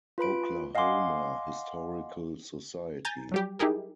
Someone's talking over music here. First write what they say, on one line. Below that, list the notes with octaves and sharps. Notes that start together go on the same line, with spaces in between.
Oklahoma Historical Society.
F4 B4 B5 D7
D#5 F5 F#5 G#5 C6 D6
G#5 A#5 G6 A6
F#3 G3 G4
D#4 E4 G4 G#4 A#4